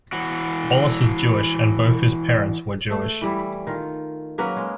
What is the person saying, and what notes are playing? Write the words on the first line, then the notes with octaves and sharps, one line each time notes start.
Wallace is Jewish and both his parents were Jewish.
E3 F#4
A3
E3 G3 E4
D#3 F4
F#3 A#3 C#4 B4
G#3 G#4